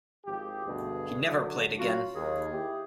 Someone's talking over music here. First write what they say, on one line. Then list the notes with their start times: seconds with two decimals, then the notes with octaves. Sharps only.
He never played again.
0.25 G#1 F3 G4 G#4
0.66 D2 G2 B2
1.28 D3 F#3 D4
1.79 F#3 C#4 F4 F#4
2.15 D#2 G#4
2.52 E4 G4